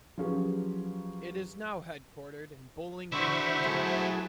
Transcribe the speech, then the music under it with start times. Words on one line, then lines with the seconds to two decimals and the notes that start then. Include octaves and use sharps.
It is now headquartered in Bowling Green, Kentucky.
0.18 F3 F#3 C#4 G4 G#4 B4
3.12 D3 E4 F#4 C5 E5 C#6
3.66 F#3 A3 G#4